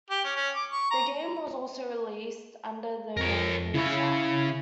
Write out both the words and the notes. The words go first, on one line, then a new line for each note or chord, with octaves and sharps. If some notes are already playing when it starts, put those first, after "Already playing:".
The game was also released under the name "Pool Shark".
G4
C#4
C#4
D6
C#6
A#5
F2 A#4 C#5
C#3 E4 C#5